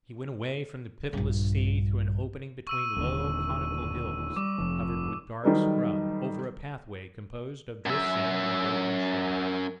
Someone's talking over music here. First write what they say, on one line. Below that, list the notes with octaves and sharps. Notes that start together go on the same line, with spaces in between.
He went away from the pitiless sea through an opening between low conical hills, covered with dark scrub, over a pathway composed of drift sand and broken shells.
A#1 G2
C#6 E6 D#7
D#1 D#2 D3
G3 D6
F1 F3
D#3 F#3 G3 D#4 A4 B4
F#2 E5